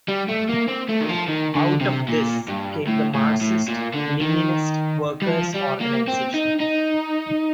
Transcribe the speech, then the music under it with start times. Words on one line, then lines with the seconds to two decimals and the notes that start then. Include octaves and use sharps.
Out of this came the Marxist-Leninist Workers Organization.
0.08 G3
0.28 A3
0.49 A#3
0.68 C4
0.89 A3
1.01 D#3
1.09 F3
1.28 D#3
1.55 D3
1.81 C3
2.08 A#2
2.48 G2
2.87 A2
3.15 A2
3.41 A2
3.68 A#2
3.94 D3
4.21 D#3
5.22 G3
5.28 F3
5.54 G3
5.80 A#3
6.08 C4
6.34 D#4
6.60 D#4